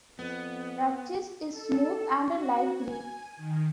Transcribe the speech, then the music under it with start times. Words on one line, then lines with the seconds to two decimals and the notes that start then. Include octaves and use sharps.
Rachis is smooth and light green.
0.19 F2 B3
1.50 A4
2.30 F#4
2.77 G#5
3.37 D#3